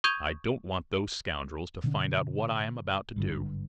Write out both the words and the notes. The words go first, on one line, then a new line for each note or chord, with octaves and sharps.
I don't want those scoundrels to find out what I am about to do.
C#6 D#6 G6 G#6 D#7 F7
B2 D3 C#4
G#1 G2 D3